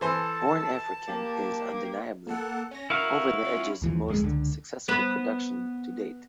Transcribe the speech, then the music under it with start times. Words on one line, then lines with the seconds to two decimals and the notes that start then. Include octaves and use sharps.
"Born African" is, undeniably, Over the Edge's most successful production to date.
0.01 E3 A4 C5 G#5 A5
1.08 A#3 G4
2.27 A#3 A4 F#5
2.71 C#4 A#6
2.90 E4 F#4 A#4 F5
3.45 C#4 F4
3.82 D#2 E3 F3
4.08 D1 F2 G#3
4.23 C#2 D3
4.88 B3 B4